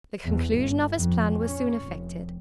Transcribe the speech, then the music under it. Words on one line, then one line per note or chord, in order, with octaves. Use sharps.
The conclusion of his plan was soon effected.
E2
G1
F2
C#4
F1